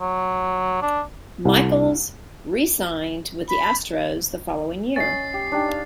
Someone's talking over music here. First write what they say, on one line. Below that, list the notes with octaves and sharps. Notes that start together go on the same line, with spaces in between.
Michaels re-signed with the Astros the following year.
F#3
D4
C2
B5
C#4 D#5 A6 C7
G4
D4 D#4 G4
F5